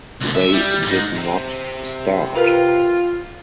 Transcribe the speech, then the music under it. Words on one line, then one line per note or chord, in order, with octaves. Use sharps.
They did not start.
C2 D3
E5
G3
G#2 D#4
C3 C4
F4 A#4 B4 A#5